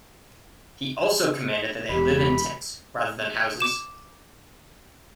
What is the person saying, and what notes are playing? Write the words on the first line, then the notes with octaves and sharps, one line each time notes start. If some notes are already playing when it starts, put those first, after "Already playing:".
He also commanded that they live in tents, rather than houses.
E1 G4 B5
D6 E7